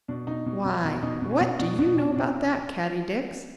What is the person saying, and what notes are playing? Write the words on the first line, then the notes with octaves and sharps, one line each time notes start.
"Why, what do you know about that, Caddie Dix?"
B2 D4
B2 D#4
B2
B2
B2
B2 D#4
B2
C#4
B2
B2 D4
B2 D4
B2 C#4
B2 D4